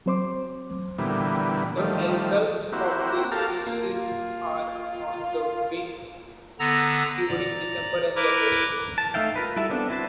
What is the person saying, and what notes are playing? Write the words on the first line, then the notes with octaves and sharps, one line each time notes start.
The adults of this species are on the wing during December and January.
F#3 C4 C5 C6 D6
A#2 D3 E3 G3 B3
D#3 F3 G3 A3
A#3 C4 E4 F#4 G4
G4 A4 A#4 F5 A5
A#3 F4
D3 B3 A#5 E6 A#6
D5 A#5
E4 A#4 B4 A#5 D6
A5
A3 D#4 E5 F5 G5
F4 A#4 B4
G3 E4 F#4 A4 E5
B3 C4 D4 A4
E4 F#4 B4 C5 A5